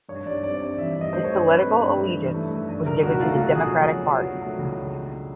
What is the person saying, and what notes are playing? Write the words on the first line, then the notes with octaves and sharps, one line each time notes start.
His political allegiance was given to the Democratic party.
G2 C#5
G2 D5
C4 D5
G2 D5
E3 E5
G2
D#5
A3 C5
C#5
G2
C4 B4
A3
G2
A3
E3
A3
A3
G2
C#2 A#4
B2 F#4
A3 F4
B2 F#4
B2 G#4
F#3
F#3
F#3
F#3
A3
C#2